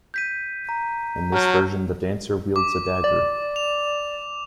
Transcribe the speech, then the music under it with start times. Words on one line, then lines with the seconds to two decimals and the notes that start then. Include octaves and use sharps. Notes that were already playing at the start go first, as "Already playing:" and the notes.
In this version, the dancer wields a dagger.
0.14 G6 B6 D#7
0.69 A#5
1.32 F#3 A5 F6 G6
2.56 D6
3.04 D5
3.56 F7